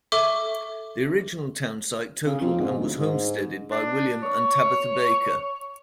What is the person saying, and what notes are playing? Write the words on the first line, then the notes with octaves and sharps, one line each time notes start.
The original townsite totaled and was homesteaded by William and Tabitha Baker.
A4 E5 C#6 D6
C#3
F2
G#2
D2
G#2
D4
C#5